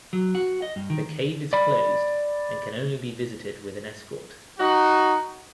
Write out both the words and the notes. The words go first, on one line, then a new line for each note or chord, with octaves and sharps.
The cave is closed and can only be visited with an escort.
F#3
F#4
D#5
G2
D#3
D5 B5
D#4 F#4